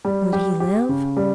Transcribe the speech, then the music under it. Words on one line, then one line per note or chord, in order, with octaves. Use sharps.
Would he live?
G3
G4
G4
C#3
G3